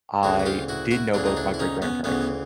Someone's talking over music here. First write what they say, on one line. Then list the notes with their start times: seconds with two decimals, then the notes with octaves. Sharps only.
I did know both my great-grandparents,
0.23 D2 C#3 E3 E4 F#4
0.40 F#4
0.46 F4 G4
0.68 E4 F#4
0.91 E4 F#4
1.14 D2 C#3 E3 D4 E4
1.26 D#4
1.37 D4 E4
1.54 E4
1.59 C#4 D#4
1.82 B3 C#4
2.04 D2 C#3 E3 B3 C#4